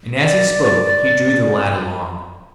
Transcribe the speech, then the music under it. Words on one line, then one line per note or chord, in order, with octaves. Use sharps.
And as he spoke he drew the lad along.
D5